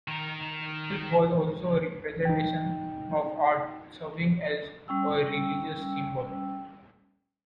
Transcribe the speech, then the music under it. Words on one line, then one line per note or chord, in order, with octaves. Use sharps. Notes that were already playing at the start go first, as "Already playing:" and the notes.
Silk was also a representation of art, serving as a religious symbol.
D#3 A#4
D#4 G5
G3 C#4 G5 E6